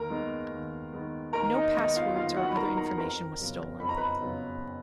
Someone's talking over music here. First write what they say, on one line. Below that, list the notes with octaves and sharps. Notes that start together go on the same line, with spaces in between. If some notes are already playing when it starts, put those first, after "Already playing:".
No passwords or other information was stolen.
Already playing: D#2 A#4 A#5
D#3 G#3 B3
D#2
D#3 G#3 B3
D#2 A#4 A#5
D#4 D#5
D#3 G#3 B3 D#4 D#5
F4 F5
D#2 F4 F5
F#4 F#5
B5
D#3 G#3 B3 A#4 A#5
A#4 A#5
F2 A#4 A#5
C#3 F#3 B3
F2 B5
A#5
B4 B5
C#3 F#3 B3